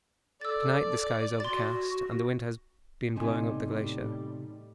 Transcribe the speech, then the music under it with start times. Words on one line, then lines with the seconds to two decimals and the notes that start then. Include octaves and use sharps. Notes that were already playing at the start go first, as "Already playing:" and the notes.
To-night the sky is overcast and wind has been blowing up the glacier.
0.41 A4 D5 E6 A6
1.40 F#4 C6 A6
3.16 E2 A2 C3 G3 D#4 G#5